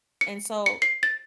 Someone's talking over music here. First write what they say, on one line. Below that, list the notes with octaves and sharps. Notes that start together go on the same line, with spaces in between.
And, so,
C#7
C#7
C7
A6